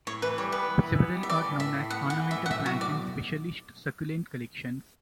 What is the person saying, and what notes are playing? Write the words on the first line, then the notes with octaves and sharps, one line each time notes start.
Several are known as ornamental plants in specialist succulent collections.
A2 C#5
E3 B4
G3 C#5
B3 B4
E3
E3
B3
G3
E5
E3 D5
A2
A2 E5
A2
B3 F#5
E3 F#5
E3
E5
A2
F#5
B1 E5
A2 F#4
B1 D5